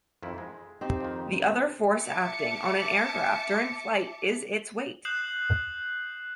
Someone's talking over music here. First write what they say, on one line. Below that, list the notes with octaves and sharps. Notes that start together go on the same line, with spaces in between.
The other force acting on an aircraft during flight is its weight.
F2 D#3 E4
G#3
C4 D#4 G4
F2 D#3
E5 A5 D6 C#7
D#6 F#6 G6 C7 E7 F#7